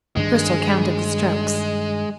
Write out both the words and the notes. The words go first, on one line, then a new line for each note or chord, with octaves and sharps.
Cristel counted the strokes.
G2 D#3 G#3 D4